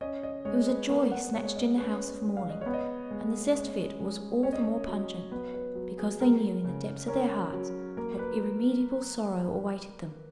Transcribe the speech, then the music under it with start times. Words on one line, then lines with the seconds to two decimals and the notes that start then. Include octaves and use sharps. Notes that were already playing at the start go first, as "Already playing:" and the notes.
It was a joy snatched in the house of mourning, and the zest of it was all the more pungent, because they knew in the depths of their hearts what irremediable sorrow awaited them.
0.01 C#4 D#5
0.23 D#5
0.45 G#3 C#5
0.67 B4
0.89 B3 A#4
1.12 F#5
1.33 G#3 C#5
1.45 C#5
1.56 D#5
1.77 C#4 B4
2.07 C#5
2.22 G#3
2.37 F5
2.49 D#5
2.61 B3 C#5
2.74 D#5
3.11 G#3
3.55 C#4
3.99 G#3
4.43 C#4 C#5
4.53 D#5
4.61 C#5
4.87 F#3
5.32 B3 B4
5.54 B4
5.75 F#3
5.98 G#4
6.20 G#3 A#4
6.64 C#3
7.08 C#4 A#4
7.53 F#3
7.97 A#3 A#4
8.19 B4